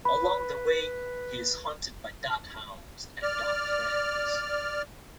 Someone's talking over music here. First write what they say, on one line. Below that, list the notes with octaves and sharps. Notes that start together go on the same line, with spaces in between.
Along the way he is hunted by Darkhounds and Darkfriends.
B4 B5
D5 F6